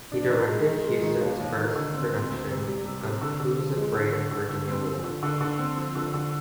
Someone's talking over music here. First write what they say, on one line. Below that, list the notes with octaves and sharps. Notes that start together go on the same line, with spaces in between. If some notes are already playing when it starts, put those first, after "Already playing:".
He directed Houston's first production of Who's Afraid of Virginia Woolf?
D4
D#3
G#3
D#3
G#3
D#3
D#2
D#2
D#3
D3
C4
C4
D2
C3
G3
C3
C3
D3
D3
F3
G#3
D3
D3
D3
D3
C4
F3
D3
D3
D3
C4
F3
D3
D3